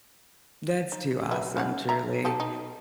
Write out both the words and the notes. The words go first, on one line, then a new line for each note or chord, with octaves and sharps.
That's too awesome, truly.
D#4
F#3 B4 E5
C#4 F5 F#5
E5 A#5
D#4 G4 A4
D#4